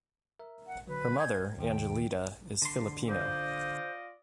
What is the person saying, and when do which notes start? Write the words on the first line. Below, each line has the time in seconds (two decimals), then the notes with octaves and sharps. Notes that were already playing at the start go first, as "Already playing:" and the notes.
Her mother, Angelita, is Filipino.
0.39 A#4 E5
0.67 F#5
0.87 D3 F#3 B4
1.19 C5 G#5 G6 G#6
1.57 D#2 C3 D#3 G5
2.62 D3 C6
3.08 F4 C5 D5 D#5